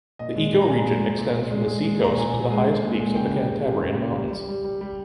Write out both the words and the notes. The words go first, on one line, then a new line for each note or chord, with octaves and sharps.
The ecoregion extends from the seacoast to the highest peaks of the Cantabrian Mountains.
A#2 D#5
G#3
A#2
A#5
A#2 G#5
G#3
G#3
A#2
A#2
G#3
G#3
G#3
A#2 A#5
A#2 G#5
A#2
G#3
A#2
A#2
G#3
C#3 G5
G3
C#3
G3
C#3
G3
G3
G3
G3
G3
G3